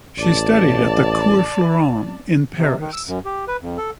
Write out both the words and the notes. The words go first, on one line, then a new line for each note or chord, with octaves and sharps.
She studied at the Cours Florent in Paris.
A1 D5 A5
C3
D#3
E6
F#2
G4
B4
F2
A4